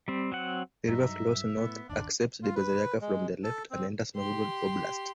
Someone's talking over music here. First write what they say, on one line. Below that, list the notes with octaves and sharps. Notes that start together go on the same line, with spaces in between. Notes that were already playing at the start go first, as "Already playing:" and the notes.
The river flows north, accepts the Berezayka from the left, and enters Novgorod Oblast.
G3 C4
F#3 C4 F#5
G2 F#3 D#4 E5
A2 B3
G1 D#2 D4
F4
B4
G#3
A4
C4
G4 C6